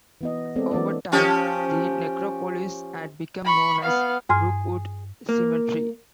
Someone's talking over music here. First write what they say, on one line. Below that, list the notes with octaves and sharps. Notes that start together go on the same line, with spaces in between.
Over time, the necropolis had become known as Rookwood Cemetery.
E3 B3 D#5
G#3 B3 C4 A4 A#4 D5
E3 A#3 B3 D4 D5
F3 C#4 G4
B5 C#6
B3 F5
G2 G#4 C6 F6
A#3